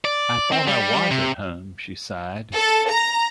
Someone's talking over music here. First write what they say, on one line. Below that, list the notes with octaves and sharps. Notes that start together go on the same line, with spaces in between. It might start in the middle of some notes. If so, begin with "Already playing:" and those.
'I thought I was at home,’ she sighed.
D5
C4
G3
C3
A4
A#5